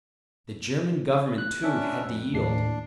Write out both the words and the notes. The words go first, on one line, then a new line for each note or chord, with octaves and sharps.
The German Government, too, had to yield.
F#6
C#4 D4 E5
F2
D#2 A2 D4 C7